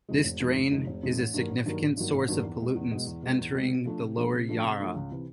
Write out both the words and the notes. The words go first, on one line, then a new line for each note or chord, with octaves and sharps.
This drain is a significant source of pollutants entering the lower Yarra.
F2 C3 D#3 G#3
F1
F2 C3 D#3 G#3
F1
F2 C3 D#3 G#3
F1
F2 C3 D#3 G#3
A1
G2 D#3 F#3 A#3
A1
G2 D#3 F#3 A#3
A1
G2 D#3 F#3 A#3
A1
G2 D#3 F#3 A#3
E2
B2 G#3
E2
B2 G#3
E2
B2 G#3
E2
B2 G#3
C3
F3 A3 D4
C3
F3 A3 D4
C3
F3 A3 D4
C3
F3 A3 D4
C#2
C3 E3